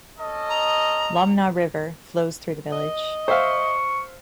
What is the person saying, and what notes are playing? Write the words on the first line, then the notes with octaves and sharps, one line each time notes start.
Lomná River flows through the village.
C#4 A4 D#5
A#5
D#5
C5 E5 F5 C#6